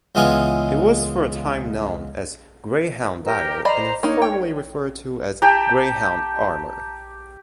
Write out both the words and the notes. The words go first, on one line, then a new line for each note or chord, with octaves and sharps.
It was for a time known as Greyhound-Dial, and informally referred to as Greyhound-Armour.
C#2 E3 G#3 B3 F4 G#5
G4 A#4
C5 D5 D#5 A#5 B5
A#3 D#4 C#5
G5
G4 G5 A5 A#5